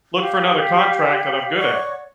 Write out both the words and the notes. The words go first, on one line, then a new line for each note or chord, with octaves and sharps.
look for another contract that I'm good at.
G4 F5
C#5 D5 F#5 C#6